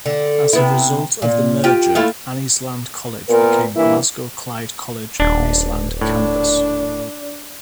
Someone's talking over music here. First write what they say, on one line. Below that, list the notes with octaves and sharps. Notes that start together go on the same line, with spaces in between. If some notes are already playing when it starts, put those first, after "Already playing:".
As a result of the merger, Anniesland College became Glasgow Clyde College Anniesland Campus.
D3
C3 B3 E4
A#2
F4 G4
A3 E4 F4
A#2 B3 A#4
G2 E3 A#3 E4
D#1 D4
A2 D4